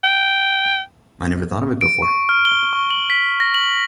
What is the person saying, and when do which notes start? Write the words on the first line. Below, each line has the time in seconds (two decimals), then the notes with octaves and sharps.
I never thought of it before.
0.04 G5
1.81 D7
2.02 C#6
2.29 F6
2.45 G7
2.73 C#6
2.90 F#7
3.10 B6
3.40 A#6
3.54 F#7